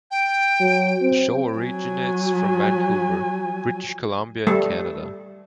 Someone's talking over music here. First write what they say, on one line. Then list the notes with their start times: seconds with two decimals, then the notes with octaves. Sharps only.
The show originates from Vancouver, British Columbia in Canada.
0.11 G5
0.60 F#3
1.02 C4
1.58 F#3 G#5
4.47 G3 A3 A4